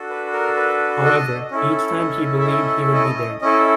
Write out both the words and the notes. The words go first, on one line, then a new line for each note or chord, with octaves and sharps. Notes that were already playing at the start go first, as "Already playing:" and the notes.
However, each time she believed he would be there.
Already playing: D4 F#4 A4
B4
A#4
B4
D#5
C#4 E4 A4
D#5
E5
D#5
D#5
C#4 E4 A4 D#5